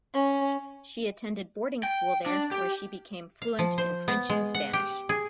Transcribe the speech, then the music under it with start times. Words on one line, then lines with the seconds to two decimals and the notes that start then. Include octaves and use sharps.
She attended boarding school there, where she became fluent in French and Spanish.
0.13 C#4
1.83 G5
2.26 D4
2.51 G4
3.42 F5
3.59 F3
3.78 C5
4.08 B3
4.30 G#3
4.54 F#5
4.73 G4
5.09 G#4